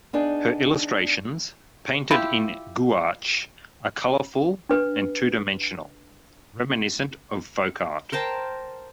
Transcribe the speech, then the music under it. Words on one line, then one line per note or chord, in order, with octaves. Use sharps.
Her illustrations, painted in gouache, are colorful and two-dimensional, reminiscent of folk art.
B3 D4 D#4 G#4
E4 F4 G4
D4 B4
A#4 C5 G5 A5